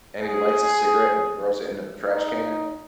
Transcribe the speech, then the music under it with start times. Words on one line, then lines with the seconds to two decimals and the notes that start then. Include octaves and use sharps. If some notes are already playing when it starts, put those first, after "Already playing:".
and he lights a cigarette and throws it into the trash can
0.20 G#4
2.05 D#4